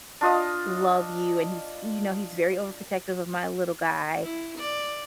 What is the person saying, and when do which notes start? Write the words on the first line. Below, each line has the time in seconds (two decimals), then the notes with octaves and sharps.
love you, and he's you know, he's very overprotective of my little guy,
0.21 D4 F4 D#5 D#6
4.23 E4
4.58 D5